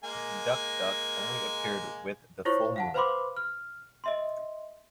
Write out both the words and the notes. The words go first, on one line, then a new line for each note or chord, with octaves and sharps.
Duk-Duk only appeared with the full moon.
G#3 A#3 G#5
E4 F4 C5 C#5 C#6
F5 F#5 A5
B4 C5 F5 B5 C6 D6
F6
D#5 E5 C6